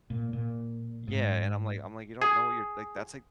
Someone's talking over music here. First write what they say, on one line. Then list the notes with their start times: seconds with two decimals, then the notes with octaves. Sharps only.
Yeah, and I'm like I'm like, "You don't know what you're" like, that's, like
0.10 A#2
0.33 A#2
1.08 G#2
2.22 G#4